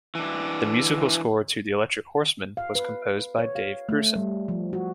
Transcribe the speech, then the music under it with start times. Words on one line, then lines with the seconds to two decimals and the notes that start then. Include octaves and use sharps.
The musical score to "The Electric Horseman" was composed by Dave Grusin.
0.15 E3 D4
2.57 F5
2.75 B4
3.39 C#5
3.55 F5
3.89 A3
4.16 G3
4.48 F3
4.73 F#4